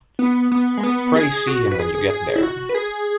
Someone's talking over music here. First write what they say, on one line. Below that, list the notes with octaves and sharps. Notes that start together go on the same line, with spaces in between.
Pray see him when you get there.
B3
B3
G#3
B3
G#4
F#4
B4
G#4
G#4
G#4
E4
F#4
B4
G#4